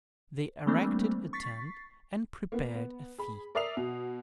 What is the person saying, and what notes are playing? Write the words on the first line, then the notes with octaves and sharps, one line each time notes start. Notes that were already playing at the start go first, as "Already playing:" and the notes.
They erected a tent and prepared a feast.
E3 G3 A3 A#3 C4 D4
C#6 A6 B6 C7
A#3 B3
B3
G#4 B5
A#4 D5 E5 D#6 C7 F7
B2